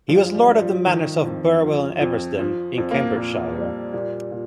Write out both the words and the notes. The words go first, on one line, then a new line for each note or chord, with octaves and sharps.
He was Lord of the Manors of Burwell and Eversden, in Cambridgeshire.
G2 F3
G3
G2
F3
D#3
F2
F3
F2
F3
F2
A#3
A#2 A#3
A#2 G3
A#2 G3
A#2